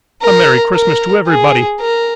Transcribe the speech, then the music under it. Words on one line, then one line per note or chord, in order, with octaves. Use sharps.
A merry Christmas to everybody!
A#4
A#4
G#4
A#4